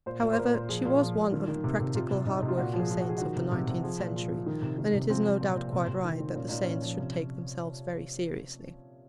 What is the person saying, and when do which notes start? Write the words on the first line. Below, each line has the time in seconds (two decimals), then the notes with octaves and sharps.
However, she was one of the practical, hardworking saints of the nineteenth century, and it is no doubt quite right that the saints should take themselves very seriously.
0.06 A#2 C5
0.22 A#2
0.33 C5
0.38 A#2 A#4
0.54 A#2
0.69 F3 G#4
0.85 A#2
1.01 F3
1.17 A#2
1.32 D#3
1.48 D#3
1.64 C3
1.80 C3
1.95 C3 F4
2.11 C3
2.26 C3 D#4
2.38 C3 D#4
2.48 F4
2.57 A#2 F#4
2.74 F3
2.79 G#4
2.90 F3
3.01 F#4
3.06 F3 G#4
3.18 D#3 F#4
3.36 C3
3.52 C3
3.67 C3
3.83 F3 G#4
4.00 A#2
4.16 F3
4.31 F3
4.46 D#3
4.62 C3
4.78 D#3
4.94 C3
5.10 F3 C4
5.25 F3
5.41 A#2
5.57 A#2
5.72 C3
5.88 C3
6.04 D#3
6.20 D#3
6.35 A#2 C#4
6.49 A#2 D#4
6.63 A#2 C#4
6.82 F3
6.98 C3